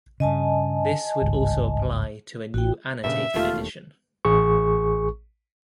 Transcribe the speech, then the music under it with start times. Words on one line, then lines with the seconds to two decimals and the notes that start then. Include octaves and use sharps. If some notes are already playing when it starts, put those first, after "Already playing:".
This would also apply to a new annotated edition.
0.20 G2 C#3 D#5 G#5 A5
1.22 G#1 C#2 G2
2.54 A1 F#4 G5
3.04 G2 A#2 C#3 E5
3.35 E1 D#2 A3 F4
4.25 A1 G#4 C#6